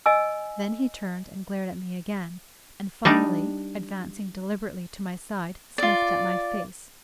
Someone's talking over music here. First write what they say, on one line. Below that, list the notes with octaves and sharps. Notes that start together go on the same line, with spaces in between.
Then he turned and glared at me again, and finally, advancing deliberately to my side, sniffed at my face.
D#5 G#5 E6
G3 D4 D#4
F4 D5